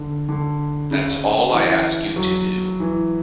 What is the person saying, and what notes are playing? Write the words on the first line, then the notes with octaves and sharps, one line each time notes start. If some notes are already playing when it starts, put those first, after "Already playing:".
That's all I ask you to do.
Already playing: D3
D3
C#3
E3
F#3
E3